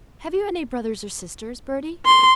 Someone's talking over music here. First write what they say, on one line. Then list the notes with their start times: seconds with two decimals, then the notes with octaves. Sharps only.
"Have you any brothers or sisters, Bertie?"
2.06 C6